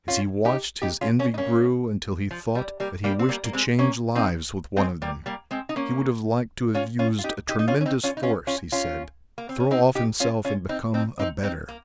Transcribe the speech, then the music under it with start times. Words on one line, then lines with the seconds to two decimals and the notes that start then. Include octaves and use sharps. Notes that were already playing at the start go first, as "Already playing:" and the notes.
As he watched his envy grew until he thought that he wished to change lives with one of them. He would have liked to have used a tremendous force, he said, throw off himself and become a better.
0.08 C#4 F4
0.45 D#4 G4
0.82 D#4 G4
1.01 C#4 F4
1.19 A#3 C#4
1.34 D#4
1.38 A#3 C#4
2.31 F3
2.55 G3
2.80 G3 A#3
3.04 G3 A#3
3.19 C4
3.29 G3 A#3
3.44 A#3
3.53 G#3 C4
3.79 A#3 C#4
4.15 C4 D#4
4.77 G#3 C4
5.02 G3 A#3
5.26 G3 A#3
5.51 G#3 C4
5.69 D#4
5.76 A#3 C#4
6.75 C#4 F4
6.99 C#4 F4
7.19 F4
7.24 D#4 G4
7.49 D#4 G4
7.59 D#4
7.68 C#4 F4
7.81 C#4
7.86 C4 D#4
8.04 C#4 F4
8.17 D#4
8.23 C#4 F4
8.47 C#4 F4
8.72 C#4 F4
9.38 A#3
9.49 C4
9.60 C#4
9.71 C4 D#4
9.95 D#4 G4
10.20 C#4 F4
10.45 C#4 F4
10.69 C4 D#4
10.94 C4 D#4
11.19 C4 D#4
11.43 C4 D#4
11.69 A#3